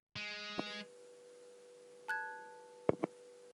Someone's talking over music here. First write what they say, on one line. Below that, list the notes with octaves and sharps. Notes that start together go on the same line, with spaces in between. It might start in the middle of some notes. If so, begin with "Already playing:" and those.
They were also responsible for repeated attacks on official sites of numerous other governments.
G#3
A5 F#6 G#6